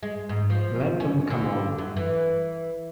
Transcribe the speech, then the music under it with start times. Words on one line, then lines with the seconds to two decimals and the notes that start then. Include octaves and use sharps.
Let them come on.
0.03 G#3
0.29 G#2
0.50 F3
1.00 C#4
1.30 D3
1.78 F#2
1.97 E3